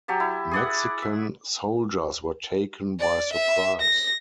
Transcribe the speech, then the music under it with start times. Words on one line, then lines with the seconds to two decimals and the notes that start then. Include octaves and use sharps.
Mexican soldiers were taken by surprise.
0.08 F#3 G4 A5
0.20 E4
0.51 G#4 D5 F#5
1.02 E5
3.00 D5
3.33 E5
3.81 A#6